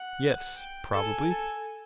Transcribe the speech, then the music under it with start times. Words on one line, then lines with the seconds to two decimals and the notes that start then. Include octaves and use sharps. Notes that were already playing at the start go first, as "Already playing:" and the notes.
Yes, probably.
Already playing: F#5
0.57 G5
0.94 A4 G#5
1.30 A4